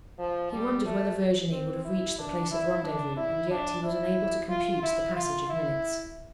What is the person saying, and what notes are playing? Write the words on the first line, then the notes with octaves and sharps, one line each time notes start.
He wondered whether Virginie would have reached the place of rendezvous, and yet he was unable to compute the passage of minutes.
F3
G3
A3
C4
E4
D4
E4
D4
E4
D4
E4
F4
E4
F4
E4